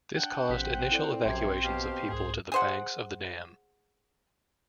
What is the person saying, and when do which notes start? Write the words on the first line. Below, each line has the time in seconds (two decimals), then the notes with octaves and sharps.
This caused initial evacuations of people to the banks of the dam.
0.16 D4 F#5 G5
0.49 A1 C4 B6
0.91 E4 A4 D5
1.26 A#1 F#2 C3 C5 G#6
1.64 B2 G4 F5
2.09 C2 G#2 G#4
2.52 G#4 C5 F#5